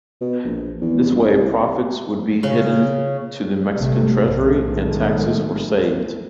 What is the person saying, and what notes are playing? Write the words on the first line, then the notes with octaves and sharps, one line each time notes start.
This way profits would be hidden to the Mexican treasury, and taxes were saved.
B2
A#1
E2
G1
C2
C#3 C#4
G#1 C3 G3 A3
B1 A2 D#3 G#3 A3